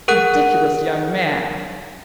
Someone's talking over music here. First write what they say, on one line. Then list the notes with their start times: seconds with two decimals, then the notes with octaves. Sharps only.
Ridiculous young man!
0.08 G#4 A#4 F#5 F#6